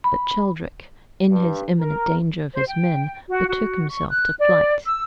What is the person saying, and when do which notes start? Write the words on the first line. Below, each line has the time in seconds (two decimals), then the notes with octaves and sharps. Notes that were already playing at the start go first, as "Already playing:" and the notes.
But Cheldric, in his imminent danger of his men, betook himself to flight.
0.04 B5
1.30 G2
1.81 A#4
2.54 C5
2.67 G5
3.30 F#4
3.48 F#4
3.89 C#6
4.09 F#6
4.40 D5
4.85 E6